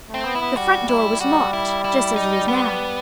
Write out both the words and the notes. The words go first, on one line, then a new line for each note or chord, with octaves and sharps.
The front door was locked, just as it is now.
A3 C4
B3
E4
B3
G3 F#4
E4
G3 F#4
E4
E4
D#4
B3